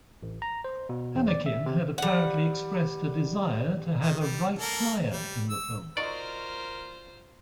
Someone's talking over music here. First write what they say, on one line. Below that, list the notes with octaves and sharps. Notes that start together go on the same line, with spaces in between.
Annakin had apparently expressed a desire to have a Wright Flyer in the film.
A1
A#5
C5
B2
E2
D5
E5
C3
G3 F#5
D#3
G3
A#3 A4 A#4
G3
E6
D#4 F4 F#4 A#4 C5 D5 C#6